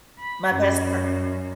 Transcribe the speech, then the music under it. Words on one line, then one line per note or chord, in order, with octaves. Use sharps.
My best friend
B5
F#2